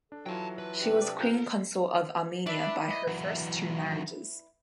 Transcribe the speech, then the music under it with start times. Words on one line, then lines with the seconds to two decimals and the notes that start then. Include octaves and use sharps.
She was Queen consort of Armenia by her first two marriages.
0.12 D4 A4
0.26 E3 F#3 F4 G5 A5
0.58 B4 A5
0.78 C3 D4 G4
1.02 D5
1.19 F3 A4 A#4 A#5 F#6 G6
2.46 D4 E4 B4 D5
2.91 D#5
3.07 E3 F#3